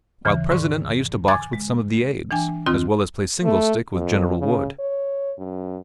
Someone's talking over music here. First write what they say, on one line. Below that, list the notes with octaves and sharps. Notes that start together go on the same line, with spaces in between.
While President I used to box with some of the aides, as well as play single-stick with General Wood.
D#2 C#3 E3
G#2 D3 C#6
G#5 D6 F#6 G#6 A6
G#3
E3 D4 G5 G#5
D#2 D#3 C4 F4 C6 D#6
A3
F2
C#3
C#5
F#2